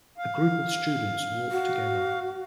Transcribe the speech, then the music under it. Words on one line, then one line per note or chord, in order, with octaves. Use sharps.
A group of students walk together.
F5
F#4